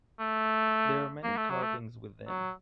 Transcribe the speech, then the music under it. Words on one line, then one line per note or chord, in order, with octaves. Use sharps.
There are many carvings within.
A3
A#3
A3
F#3
A3
F#3